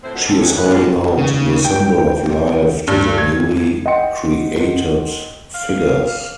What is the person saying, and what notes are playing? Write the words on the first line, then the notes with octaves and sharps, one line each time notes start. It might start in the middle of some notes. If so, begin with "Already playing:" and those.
She is holding out the symbol of life to the newly created figures.
F2 A2 C4 E4 C5
B2 D3 D#3 F#3
C4 D#4 G4 A4 A#4
A2 A3 F#4 G#4 C#5 D#5
B4
G3 G#3 B3 D4 F4
C#3
G5
G2
G#6
D#5 F#5 G5 C6 C#7
F5